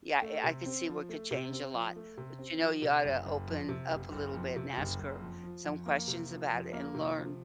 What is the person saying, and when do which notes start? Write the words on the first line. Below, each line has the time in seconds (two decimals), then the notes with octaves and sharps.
yeah, eh I could see what could change a lot, but, you know, you ought to open up a little bit and ask her some questions about it, and learn
0.22 A3
0.44 C3
0.66 C4
0.88 F3
1.09 A3
1.31 C3
1.53 C4
1.74 F3
1.96 A3
2.18 C3
2.39 C4
2.60 F3
2.82 C3
3.04 F#1
3.26 F#1
3.48 F2
3.69 C3
3.91 F#1
4.12 F#1
4.34 F2
4.56 C3
4.77 F#1
4.99 F#1
5.21 F2
5.43 F3
5.65 F2
5.86 A#3
6.08 C3
6.30 F3
6.52 F2
6.73 A#3
6.95 C3
7.16 F3